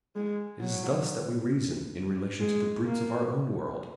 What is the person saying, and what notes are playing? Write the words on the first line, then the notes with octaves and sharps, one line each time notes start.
It is thus that we reason in relation to the brutes of our own world.
G#3
F#3
G#3
A#3